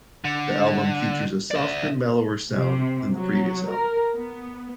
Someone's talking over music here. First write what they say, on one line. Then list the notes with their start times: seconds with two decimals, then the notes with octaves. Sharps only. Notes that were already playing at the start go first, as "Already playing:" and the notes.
The album features a softer, mellower sound than the previous album.
0.25 D3
1.51 D5 E5
2.53 C3
3.15 F#3
3.70 A#4
4.16 B3